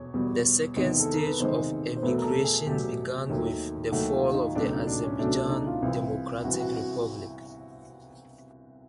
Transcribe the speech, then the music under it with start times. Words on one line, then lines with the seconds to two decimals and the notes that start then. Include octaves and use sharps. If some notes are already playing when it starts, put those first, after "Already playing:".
The second stage of emigration began with the fall of the Azerbaijan Democratic Republic.
Already playing: E2 B2 C#5
0.14 E2 B2 G3
0.76 E2 C3 D#3 G#3
0.99 A4
1.13 A#4
1.26 B4
1.39 E2 C3 D#3 G#3 C5
1.97 C5
2.02 E2 B2 F#3 A3 B4
2.17 A#4
2.24 A4
2.45 G#4
2.66 E2 B2 F#3 A3 G4
3.29 D#2 D#3 F#3 A3
3.92 D#2 D#3 F#3 A3 F#4
4.13 F4
4.34 D#4
4.55 C#2 B2 F#3 A3 D4
4.71 D#4
4.87 D4
5.03 C#4
5.19 C#2 B2 F#3 A3 D4
5.35 D4
5.50 D#4
5.67 F4
5.82 C2 C3 E3
6.44 C2 C3 E3 F#4
6.60 F#4
6.76 F#4